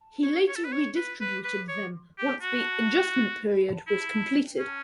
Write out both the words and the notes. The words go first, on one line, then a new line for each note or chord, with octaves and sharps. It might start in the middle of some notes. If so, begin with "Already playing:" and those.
He later redistributed them once the adjustment period was completed.
C#5
C#5
A4
B4
C#5
B4
B4
B4
C#5
G4
F#4
E4
C#4